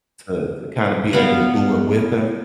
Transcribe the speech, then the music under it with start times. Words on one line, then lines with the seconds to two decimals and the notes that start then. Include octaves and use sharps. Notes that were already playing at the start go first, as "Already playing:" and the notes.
to to kinda be able to do it with her,
1.13 B3 F5 F#5